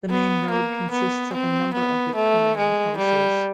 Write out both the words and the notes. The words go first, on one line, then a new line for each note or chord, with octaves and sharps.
The main road consists of a number of Victorian houses.
B3
A#3
B3
C4
B3
A3
G#3
G3